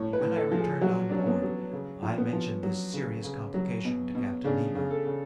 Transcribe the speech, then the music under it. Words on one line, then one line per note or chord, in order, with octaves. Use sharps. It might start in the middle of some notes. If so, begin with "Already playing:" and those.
But when I returned on board, I mentioned this serious complication to Captain Nemo.
Already playing: A2 C#5
B4
A2
A4
F3
G#4
F#3 F#4
F#3 D4
C#4
B3
F#3
C#3
F3
B3
F3
F#3
C#3
C#3
F#3
B2
B2
C#3 D4
C#3
A4
C#3